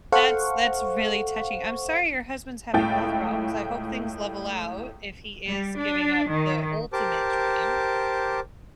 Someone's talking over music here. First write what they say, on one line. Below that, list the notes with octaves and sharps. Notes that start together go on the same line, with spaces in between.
That's that's really touching. I'm sorry your husband's having health problems, I hope things level out if he is giving up the ultimate dream,
A4 C5 F5 F#5 C#6
C#2 A2 E4 G5 A6
G3
D4
D#3
G4 A#4 C5 A5 D6